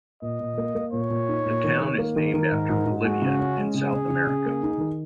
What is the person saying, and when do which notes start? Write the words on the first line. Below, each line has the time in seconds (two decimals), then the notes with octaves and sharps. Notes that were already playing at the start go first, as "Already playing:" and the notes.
The town is named after Bolivia, in South America.
0.22 A#2 D#5
0.40 A#2
0.58 A#3
0.75 A#3
0.93 A#2 C#5
1.10 A#2
1.29 D#4
1.46 A#2
1.64 D#3
1.81 D#3
1.98 A#3
2.16 D#3
2.34 D#3 A#4
2.52 G#2
2.69 G#2
2.86 G#2
3.04 G#3 F#4
3.22 C#3
3.39 C#4
3.57 G#3
3.74 C#3 G#4
3.93 C#3
4.10 C#3
4.27 C#3
4.46 A#3
4.63 D#4
4.80 D#3